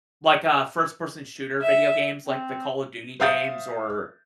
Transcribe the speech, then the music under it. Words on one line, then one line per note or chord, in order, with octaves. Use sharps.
like, uh, first-person shooter video games like the Call of Duty games or
E5
C4
C5 E5 F5 D#6 G6 A6